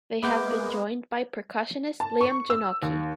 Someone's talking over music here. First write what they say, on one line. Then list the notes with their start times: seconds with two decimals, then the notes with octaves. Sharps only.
They have been joined by percussionist Liam Genockey.
0.22 G#3 A#3 B3 E5 D6 G6
2.00 A5
2.21 C#6
2.50 E6
2.82 D#2